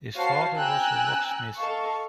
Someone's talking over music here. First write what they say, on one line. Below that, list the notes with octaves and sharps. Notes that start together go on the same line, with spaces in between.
His father was a locksmith.
F#4 C5 C#5 F5 A5 C7
G5 G#5 A#5 E6 F#6
A4 D#5 F5 A5 C#6